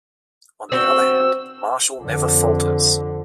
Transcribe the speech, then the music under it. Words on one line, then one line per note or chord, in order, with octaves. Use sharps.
On the other hand, Marshall never falters.
C4 F#4 C5 E6
F2 D3